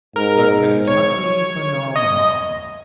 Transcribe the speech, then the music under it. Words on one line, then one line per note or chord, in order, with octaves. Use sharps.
"The Kentucky Phenomenon."
G#2 A#4
C#5
D#5